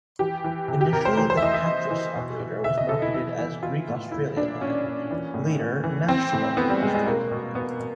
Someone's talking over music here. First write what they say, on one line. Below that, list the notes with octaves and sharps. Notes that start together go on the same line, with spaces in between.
Initially the "Patris" operator was marketed as Greek-Australian Line, later National Greek-Australian Line.
E3 G4
E3
C3
G4
C3 A#4
C5
E3 C5
C5
E5
E3 D#5
E5
E3
E3
B2
B2
B2 E5
D#5
B2 A4
E4
E3 E4
E3
E3 F4
A2
A#2 E4
A#2 D4
A#2 C#4
A#2
E3
A2
A2
E3
E3 C4
A2
E3 B3
G3
A2 G#3
G#3
B2 A#3
B2
B2 B3
B2